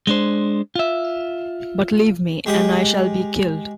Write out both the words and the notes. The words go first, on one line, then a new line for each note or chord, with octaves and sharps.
But leave me, and I shall be killed!
G#3 D4 C5
F4 E5
G#3 G4 D#5